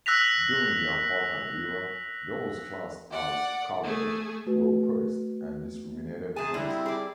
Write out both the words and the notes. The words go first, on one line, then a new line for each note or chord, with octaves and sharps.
During the apartheid era, those classed as "Coloured" were oppressed and discriminated against.
E6 F#6 A#6 B6 F7
D5 F#5
A3 G#4
A3 F#4 B4
C3 G#4 G#5 A5
D3 G3 C4 E4
C3
G#4 D5